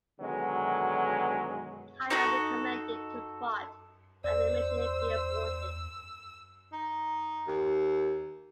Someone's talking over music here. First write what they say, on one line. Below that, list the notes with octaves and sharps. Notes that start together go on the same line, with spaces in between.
Kyle recommended to Vaught that the mission be aborted.
B2 D3 D#3 F#3 G#3
D#4 F#4 A4
E2 C5 D5 E6
D#4
D#2